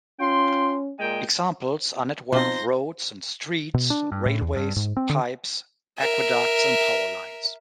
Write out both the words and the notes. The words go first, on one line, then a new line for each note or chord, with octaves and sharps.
Examples are network of roads and streets, railways, pipes, aqueducts, and power lines.
C#4 F4 G5 C6
A#2 G#3 G5
B2 F3 C4 D#4 C5 A#6
B2
D4
G2
A2
E2
G2
G#2
C4
D3
A#4 E5